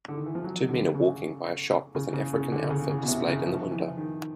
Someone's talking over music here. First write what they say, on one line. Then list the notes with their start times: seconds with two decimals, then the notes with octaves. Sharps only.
Two men are walking by a shop with an african outfit displayed in the window.
0.08 D3
0.18 D#3
0.26 E3
0.35 F3
0.44 F#3
0.69 D3
0.95 C#3
1.95 C#3
2.14 C#3
2.33 C#3
2.52 D3
2.70 C#3
2.89 C#3
3.03 B2
3.08 C3
3.28 C#3
3.46 F3
3.71 E3
3.97 D#3